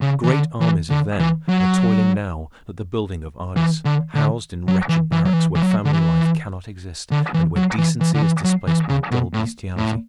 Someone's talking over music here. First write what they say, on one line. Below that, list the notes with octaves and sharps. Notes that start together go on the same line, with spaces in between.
Great armies of them are toiling now at the building of Ardis, housed in wretched barracks where family life cannot exist, and where decency is displaced by dull bestiality.
C#3
E3
D3
E3
D3
E3
F#3
E3
D3
D3
F#3
E3
E3
F#3
E3
E3
F#3
D3
E3
D3
E3
F#3
E3
E3
D3
E3
F#3
E3
C#3
B2
A2
A2